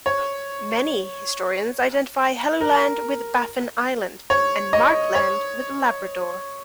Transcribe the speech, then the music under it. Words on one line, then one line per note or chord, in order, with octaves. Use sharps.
Many historians identify Helluland with Baffin Island and Markland with Labrador.
C#5
A#4
C#5
D#5
C#5